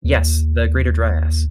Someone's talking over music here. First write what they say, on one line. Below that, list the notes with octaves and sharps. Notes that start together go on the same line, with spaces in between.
Yes, the Greater Dryas.
D#2